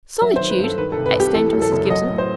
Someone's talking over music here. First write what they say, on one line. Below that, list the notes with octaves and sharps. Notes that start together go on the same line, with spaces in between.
"Solitude!" exclaimed Mrs. Gibson.
F#3 E5
D#3 C5
B4
G2
A4
D#3 B4
C3 A4
B4
C2 G4
E3 A4
F#2
A4
F#1
F#3 D#5
A2
C5